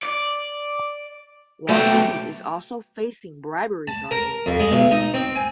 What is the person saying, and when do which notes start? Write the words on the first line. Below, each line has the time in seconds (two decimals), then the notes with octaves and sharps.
Wankhede is also facing bribery charges.
0.03 D5
1.69 B1 A3 F#4 G4
3.88 A5
4.11 A#4
4.46 F2
4.60 G#3
4.72 B1
4.91 D#4
5.14 C4
5.35 G#5